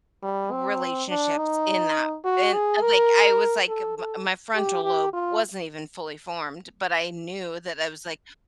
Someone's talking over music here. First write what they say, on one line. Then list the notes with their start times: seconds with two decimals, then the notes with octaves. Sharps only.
Relationships, in that, and, eh, like, I was, like m my frontal lobe wasn't even fully formed, but I knew that I was like,
0.22 G3
0.52 C4
1.09 D4
1.38 D#4
2.25 F#4
2.54 G#4
2.82 A#4
3.69 A4
3.98 A4
4.55 G4
4.84 G4
5.13 F4